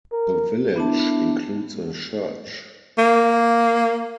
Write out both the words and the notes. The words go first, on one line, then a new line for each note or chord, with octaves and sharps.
The village includes a church.
A#4
B3 D4 E4 A5
A#3